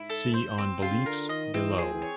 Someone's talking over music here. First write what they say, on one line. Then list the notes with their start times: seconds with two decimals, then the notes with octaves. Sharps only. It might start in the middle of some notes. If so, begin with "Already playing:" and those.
See on "Beliefs" below.
Already playing: G#2 E4
0.10 A4
0.34 C5
0.58 C4
0.82 C#3 F4
1.06 D3 A#4
1.29 D#3 D#5
1.54 E3 C4
1.78 F3 G#4
1.93 E3
2.02 C#5